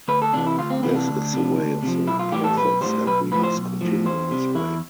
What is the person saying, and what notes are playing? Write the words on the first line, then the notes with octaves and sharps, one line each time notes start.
This is the way of the prophets and we must continue this way.
D2 B4
A4
C3 E3 D4
E4
D2 F4
C4
C3 E3 B3
D4
D2
C3 F3
D2
C3 F3
B1 E4
F4
A2 E3 G3 G4
A4
B1 B4
A2 E3 G3 C5
B1 B4
A2 F3 B4
C5
B1
A2 F3
E2 C5
C3 G3
E2 E4